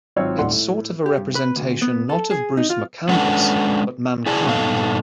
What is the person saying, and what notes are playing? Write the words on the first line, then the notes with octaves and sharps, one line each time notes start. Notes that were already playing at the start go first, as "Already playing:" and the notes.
It's sort of a representation not of Bruce McCandless, but mankind.
G#1 F#3 C4 F4 C#5 E6
D#1 G#2 A3 D5 F#5 C6
A2
G4
G2
B4
D2
B3
A4
G#4
D#4
F4
G#3 C#4 D4 A4 B4 F#5
E4 G#4 D5 A5
G2 A#2 B3 D#4 A4 F5